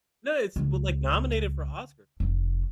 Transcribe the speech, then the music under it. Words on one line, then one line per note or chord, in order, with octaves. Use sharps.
No, it's, well, like, nominated for Oscars.
C#2
F1